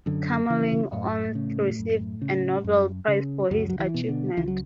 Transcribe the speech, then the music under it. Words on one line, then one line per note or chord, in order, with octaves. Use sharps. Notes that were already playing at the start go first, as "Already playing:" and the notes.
Kamerlingh Onnes received a Nobel Prize for his achievement.
F#2 D3
C#3 E3
F#2 A2 A3
C#3
F#2
C#3
F#2
C#3
C#2 F#2 F#3
F#3
E3
B2
D3
C#2 E3
F#3